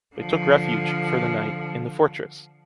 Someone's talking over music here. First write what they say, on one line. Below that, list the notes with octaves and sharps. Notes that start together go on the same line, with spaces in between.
They took refuge, for the night, in the fortress.
D3 F3